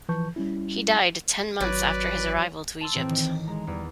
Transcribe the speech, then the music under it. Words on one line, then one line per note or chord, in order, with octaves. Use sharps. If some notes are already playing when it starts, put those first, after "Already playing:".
He died ten months after his arrival to Egypt.
E3 F3 B4 A5 C#6 G6
G3 C#4 E4
G#1 F#3 B4 D5
A5 C6 E6
A1 A2 E3 C4
D#3
G#3 A#5
E2 G3 B3 E4